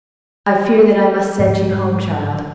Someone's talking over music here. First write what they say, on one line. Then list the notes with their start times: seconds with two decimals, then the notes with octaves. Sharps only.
I fear that I must send you home, child.
1.39 G#2 F3 G3